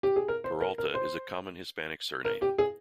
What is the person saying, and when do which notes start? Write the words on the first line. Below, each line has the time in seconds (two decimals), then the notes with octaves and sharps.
Peralta is a common Hispanic surname.
0.03 G4
0.16 G#4
0.28 A#4
0.44 C5
0.61 A#4
0.78 A#4
0.94 C5
2.25 A#4
2.42 G4
2.58 G#4